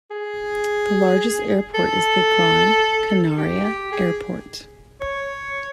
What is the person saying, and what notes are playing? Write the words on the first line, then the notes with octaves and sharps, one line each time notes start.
The largest airport is the Gran Canaria Airport.
G#4
A4
G4
G4
G#4
C#5